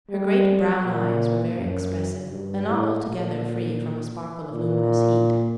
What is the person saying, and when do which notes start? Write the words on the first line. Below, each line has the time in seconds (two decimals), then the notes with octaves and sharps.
Her great brown eyes were very expressive and not altogether free from a sparkle of luminous heat.
0.10 G3
0.85 A#2
1.57 F#2
2.31 G2
2.68 A2
3.05 A#2
4.52 A#2